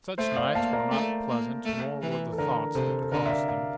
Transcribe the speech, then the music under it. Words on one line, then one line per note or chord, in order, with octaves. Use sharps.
Such nights were not pleasant, nor were the thoughts that caused them.
A3 C5 E5
D5 F5
A#3 F5 A5
A#4 D5
A3
A#3
A3
E3
A4
D3 A#4
C3 A4 C5
A4
D3 A#4
E5
D5 F5
D5 F5